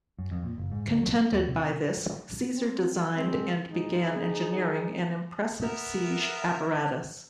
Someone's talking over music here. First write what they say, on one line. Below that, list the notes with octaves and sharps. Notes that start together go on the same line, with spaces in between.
Contented by this, Caesar designed and began engineering an impressive siege apparatus.
F#2
F2
A#2
F#1
G#2
D2
F#3
B3
D#2
C3
C4
G#3 C4
G#2 D#4
G#4
B3 A#4 E5